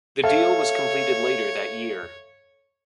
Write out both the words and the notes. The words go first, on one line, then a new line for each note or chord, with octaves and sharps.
The deal was completed later that year.
A4 C#5 E5 F5